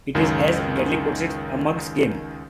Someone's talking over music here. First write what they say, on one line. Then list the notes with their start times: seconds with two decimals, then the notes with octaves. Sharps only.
It is, as Gadling puts it, a mug's game.
0.15 C#2 F#2 D#3